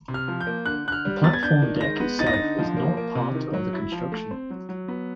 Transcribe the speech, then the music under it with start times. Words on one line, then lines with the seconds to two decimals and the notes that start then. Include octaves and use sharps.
The platform deck itself is not a part of the construction.
0.08 C3
0.14 F6
0.28 F3
0.41 G6
0.47 A#3
0.66 D3 F#6
0.85 D3 F#6
0.92 F6
1.05 G3
1.23 B3 A6
1.33 G#6
1.42 D4 G6
1.62 D#3
1.81 G#3 A#6
2.00 B3
2.19 D#4 A6
2.27 A#6
2.33 A6
2.39 D3
2.58 F3
2.77 A#3
2.97 A#3
3.15 C3
3.35 D#3
3.53 F#3
3.73 E4
3.92 F3
4.12 A3
4.31 C4
4.50 F#3
4.69 F#3
4.88 B3